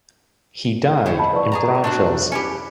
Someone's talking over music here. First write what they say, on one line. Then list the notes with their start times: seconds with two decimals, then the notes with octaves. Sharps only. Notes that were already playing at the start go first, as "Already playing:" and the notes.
He died in Braunfels.
1.06 E4 C5 C#5
1.19 D#5 A5 B5
1.33 B4 D5 C#6
1.52 G#4 A5 A#5
1.84 A3 D4 F#4
2.32 C#4 E4 G4 C#7